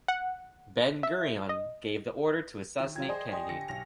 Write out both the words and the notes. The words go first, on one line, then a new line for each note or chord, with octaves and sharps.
Ben-Gurion gave the order to assassinate Kennedy.
F#5
E5
D#5
D#3
E3 F#3 F4 G5 G#6
G#4 C5 D5 D#5
G4 D#5 G5 G#5 C6
D3 A#6 C#7
B1 A#6 F7